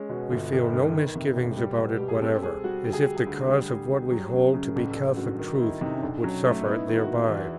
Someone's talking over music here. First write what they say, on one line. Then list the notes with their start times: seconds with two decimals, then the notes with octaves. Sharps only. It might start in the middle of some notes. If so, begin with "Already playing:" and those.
We feel no misgivings about it whatever, as if the cause of what we hold to be Catholic truth would suffer thereby.
Already playing: G#3 C#4
0.09 B2 F#4
0.30 G1 F4
0.52 G1 A#4
0.63 B4
0.73 G2 A#4
0.90 A#4
0.94 D#3 B4
1.15 C3
1.37 E1
1.57 G3
1.79 B2
1.96 G3 G4
2.08 G#4
2.21 C4 A4
2.42 C4 G#4
2.64 G3 F#4
2.84 D2 G4
2.93 G#4
3.02 D2 G4
3.17 G#4
3.27 D2
3.48 G3
3.69 G3
3.91 G3
4.11 F#3
4.33 F#2
4.54 C#3
4.65 A#4
4.75 A1 A4
4.91 A4
4.96 A1 G#4
5.17 G2 F#4
5.38 D#3 D#4
5.60 D#3 E4
5.81 C3 D#4
5.94 C#4
6.03 B1 D4
6.23 F#3 C#4
6.45 A3
6.61 D#4
6.65 B3 E4
6.87 D#3
6.98 F#4
7.08 B3
7.29 E2